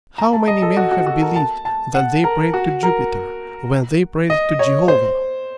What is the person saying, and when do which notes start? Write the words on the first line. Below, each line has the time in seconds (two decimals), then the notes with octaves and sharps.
How many men have believed that they prayed to Jupiter, when they prayed to Jehovah!
0.18 A#5
0.33 A5
0.48 D#5
0.62 A4
0.77 F#4
0.91 F#4
1.06 F#4
1.21 A#4
1.36 A5
1.65 A5
1.94 F#5
2.24 A#4
2.54 F#4
2.83 A#4
4.30 D#5
4.59 C#5
4.88 C5